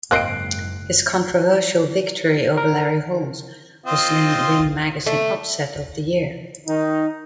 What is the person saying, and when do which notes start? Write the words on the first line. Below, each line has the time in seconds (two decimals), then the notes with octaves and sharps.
His controversial victory over Larry Holmes was named Ring Magazine Upset of the Year.
0.11 F#1 G#2 A#3 C4 D#5 F#6 C7 D7
2.57 A#4
3.86 C4 F4 D#5
5.06 A3
6.66 D#3 D#4